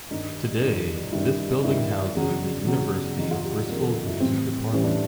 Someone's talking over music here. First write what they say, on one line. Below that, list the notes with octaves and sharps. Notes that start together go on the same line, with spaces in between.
Today this building houses the University of Bristol's music department.
G2 D#3 G3 D#4
G2 D#3 G3
G2 D#3 G3 E4
G2 D#3 G3 E4
E2 C#3 F#3
E2 C#3 F#3
E2 C#3 F#3 D#4
F4
G4
E2 C#3 F#3 A#4
A4
F4
E4
A2 E3 G3 C4
A2 E3 G3 C#4
D4